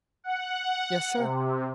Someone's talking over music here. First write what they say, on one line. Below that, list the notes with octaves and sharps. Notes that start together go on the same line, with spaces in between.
"Yes, sir."
F#5
C3